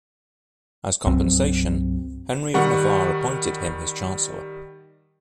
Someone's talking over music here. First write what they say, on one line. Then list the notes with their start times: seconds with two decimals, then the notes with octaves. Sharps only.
As compensation, Henry of Navarre appointed him his chancellor.
1.06 C2 G2 F#3 C4
2.54 D#3 G3 F#5 C#6